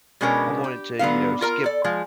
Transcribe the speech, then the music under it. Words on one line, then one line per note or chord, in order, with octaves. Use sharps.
I wanted to, you know, skip,
B2 G#3 B3 C#4 D4 A#4
G4
D3 F#3 B3 F5
F4 A#4 A#5
A4 D5
F3 G#3